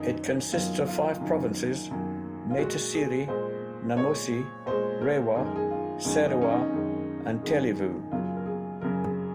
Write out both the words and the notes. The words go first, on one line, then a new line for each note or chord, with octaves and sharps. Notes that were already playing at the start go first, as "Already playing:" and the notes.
It consists of five provinces - Naitasiri, Namosi, Rewa, Serua and Tailevu.
Already playing: F#2 D#3 F#3 A#3 D#4
F#2 D#3 F#3 A#3 F4
F4
F#2 D#3 F#3 A#3
F#2 D#3 F#3 A#3
F4
A#2 G#3 F#4
G#4
A#2 G#3 C5
A#2 G#3 C#5
A#2 G#3 C5
A#4
F#2 D#3 G#3 G#4
A#4
G#4
F4
F#2 D#3 G#3 C#4
D#4
C#4
D#4
F#2 D#3 G#3
F#2 D#3 G#3
F#2 C#3 F#3 A#3 F4
A#4
G#4
F#2 C#3 F#3 A#3 A#4
G#4